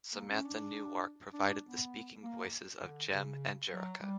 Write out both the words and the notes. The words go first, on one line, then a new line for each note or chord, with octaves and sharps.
Samantha Newark provided the speaking voices of Jem and Jerrica.
A#3
C#4
D4
D4
B3
A#3
D3
C#3
F#3
G3